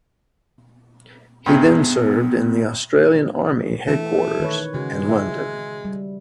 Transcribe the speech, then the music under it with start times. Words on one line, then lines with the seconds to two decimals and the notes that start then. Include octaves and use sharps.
He then served in the Australian army headquarters in London.
1.46 G2 C3 G#3 B3
3.88 E3 A3
4.40 D#3 B4 C#5
4.74 C#3 G#3 F#4
5.09 E5
5.85 G3